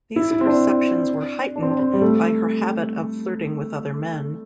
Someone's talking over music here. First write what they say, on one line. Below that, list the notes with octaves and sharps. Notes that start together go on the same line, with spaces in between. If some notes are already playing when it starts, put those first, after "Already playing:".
These perceptions were heightened by her habit of flirting with other men.
E4
E4
C4
D4
D4
C4
D4
C4
G3
A3